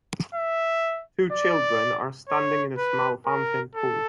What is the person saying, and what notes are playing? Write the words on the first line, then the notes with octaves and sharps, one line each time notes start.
Two children are standing in a small fountain pool.
E5
D5
C#5
B4
A#4
A4